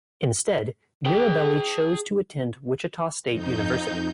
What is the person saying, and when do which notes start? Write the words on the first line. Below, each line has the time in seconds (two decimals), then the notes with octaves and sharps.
Instead, Mirabelli chose to attend Wichita State University.
1.06 G#4 G5
3.30 F2 D#4 G6